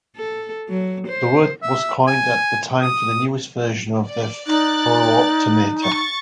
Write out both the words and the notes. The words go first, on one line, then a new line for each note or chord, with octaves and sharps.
The word was coined at that time for the newest version of their phoro-optometer.
A4
F#3
C5
E5
G#5
D#6
D5
D#4 D5 F#6 A6
C#6 A6